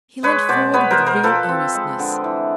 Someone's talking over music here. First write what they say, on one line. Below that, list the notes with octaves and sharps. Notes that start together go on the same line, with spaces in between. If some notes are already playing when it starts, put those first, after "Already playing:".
He leant forward, with real earnestness.
G#3 B4 C#5
B2 C5 D5
B3 B4 C#5
A#4 C5
B2
A#4 C5
F3 A4 B4
C4
G#3
D3
E3